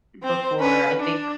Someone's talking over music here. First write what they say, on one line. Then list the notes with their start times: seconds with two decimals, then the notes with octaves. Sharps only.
before, I think
0.23 C4 C5
0.60 C#4 B4
1.00 D4